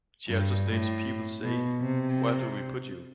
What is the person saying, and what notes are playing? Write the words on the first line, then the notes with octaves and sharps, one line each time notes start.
She also states People say 'where do we put you?
G2
A2
B2
C3